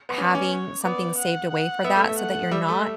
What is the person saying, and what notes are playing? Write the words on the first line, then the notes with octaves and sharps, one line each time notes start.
having something saved away for that so that you're not
B3
C#4 D5
C#4
C#5
B3 D5
F#5
F#5
B3 E5
A3
A3
F#5
G3 E5
A3